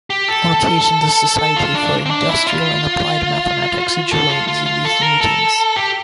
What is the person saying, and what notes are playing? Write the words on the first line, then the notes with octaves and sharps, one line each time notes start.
On occasion the Society for Industrial and Applied Mathematics joins in these meetings.
G4
A4
A4
F4
D4
C4
D4
E4
F4
A4
F4
F4
F4
A4
A#4
A4
G4